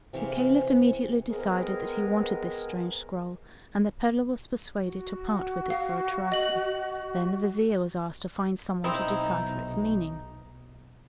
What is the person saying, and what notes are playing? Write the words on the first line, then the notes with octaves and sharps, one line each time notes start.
The Caliph immediately decided that he wanted this strange scroll, and the peddler was persuaded to part with it for a trifle. Then the Vizier was asked to find some one to decipher its meaning.
C3 E3 G#4 F5
G#3 B3 C4 G#4 A#4
F#4
F5
D#5 F#7
B1 C4 D#4 E4